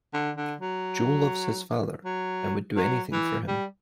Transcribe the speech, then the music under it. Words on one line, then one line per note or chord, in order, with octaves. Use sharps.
Joe loves his father and would do anything for him.
D3
D3
F#3
F#3
F#3
E3
G3